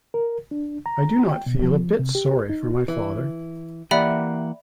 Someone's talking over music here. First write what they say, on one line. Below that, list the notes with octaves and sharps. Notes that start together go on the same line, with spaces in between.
I did not feel a bit sorry for my father.
A#4
D4
A#5
G5
B2
F3
C3
G4
D#4
E3
E3 A#3 G4 D5 E5 F#5 B5